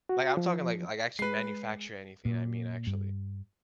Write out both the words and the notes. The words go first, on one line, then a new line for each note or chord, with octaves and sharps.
like, I'm talking, like like, actually manufacture anything I mean actually,
F#4
F3
G#3 B4 C7
A#2
G2